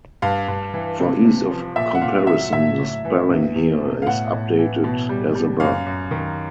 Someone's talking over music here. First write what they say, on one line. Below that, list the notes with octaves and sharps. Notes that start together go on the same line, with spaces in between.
For ease of comparison the spelling here is updated as above.
G2 F5
G2
E3
C3
C3
F3
A#2 E5
F#5
A#2 F5
F#3 E5
A2 E5
A2
E3
E2
E2
B2
F5
A2 F#5
A2
E3
B2
G3
G3
F#2 F5
F#2
D#3